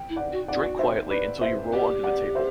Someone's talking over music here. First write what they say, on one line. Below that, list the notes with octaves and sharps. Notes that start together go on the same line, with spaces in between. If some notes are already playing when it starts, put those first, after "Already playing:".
Drink quietly until you roll under the table.
Already playing: G5
E4
D5 F#5
F#4
D5 F#5
F#4
C5 E5
B4 D5
C5 E5
G4 D5 F#5
D5 F#5
C5 E5